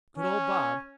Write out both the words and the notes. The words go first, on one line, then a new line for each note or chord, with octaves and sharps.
Good old Bob!
C#4